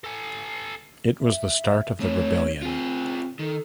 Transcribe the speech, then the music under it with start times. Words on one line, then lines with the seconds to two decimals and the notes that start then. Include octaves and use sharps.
It was the start of the rebellion.
0.04 A4 G#5
1.21 E5
2.00 A3 C4 C#5
2.62 C4 F4 G#4
3.39 D#3 A4